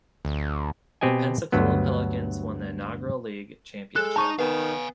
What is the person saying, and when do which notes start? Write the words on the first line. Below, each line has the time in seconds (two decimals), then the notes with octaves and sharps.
The Pensacola Pelicans won the inaugural league championship.
0.25 D2
1.01 B2 C4 G4 D#5 G#5
1.52 D2 G2 F#3 B3
3.96 G#3 A4 F#6
4.16 D#4 A5 A#5 C#6
4.39 D#3 B3 F5 G#5